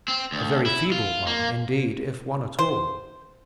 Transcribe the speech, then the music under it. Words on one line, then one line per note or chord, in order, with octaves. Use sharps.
A very feeble one, indeed, if one at all.
C4
D2
E4
F4
A#3
C5